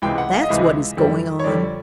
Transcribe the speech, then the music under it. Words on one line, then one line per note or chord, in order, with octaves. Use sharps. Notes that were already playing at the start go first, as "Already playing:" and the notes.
That's what is going on!
C#2 C3 E3 G#3 G5
F#5
F5
D#5
C#2 C3 E3 G#3 E5
F2 D3 G3
C#5
F2 D3 G3 D5